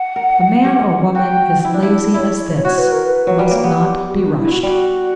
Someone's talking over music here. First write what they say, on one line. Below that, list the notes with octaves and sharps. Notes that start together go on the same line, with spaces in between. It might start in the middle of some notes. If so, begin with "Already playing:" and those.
A man or woman as lazy as this must not be rushed.
Already playing: F#5
A#4
G4
F#4 G5
E4
D4
E4
E4 C#5 D5
F#4 C#5
B4
A#4
B4
F#3
G3
A#3
B3 G4
F#4
D4
E4
F#4
G3 F#4